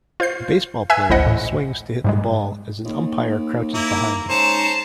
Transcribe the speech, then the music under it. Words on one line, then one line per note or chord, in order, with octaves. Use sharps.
A baseball player swings to hit the ball as an umpire crouches behind him.
F4 C5 G6 C7
B4 E5 G#5 E6 F#6 G#6
A1 D2 E4 C5 D#5 F#5
A2
G#2 G3 G#3
D#2
A#3 E4
G#2 C#4 C5 A5 A#5